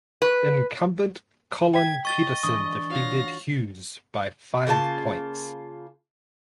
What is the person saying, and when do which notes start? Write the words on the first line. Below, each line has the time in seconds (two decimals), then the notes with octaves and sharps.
Incumbent Collin Peterson defeated Hughes by five points.
0.22 B4
1.74 G5 G#6 B6
2.05 D#5 C#6 A6 G7
2.43 E3 G#3 D4 C#6 D#6
2.90 F4 F#4 C#5 F5 A#6
4.67 C#3 A#3 F4 A5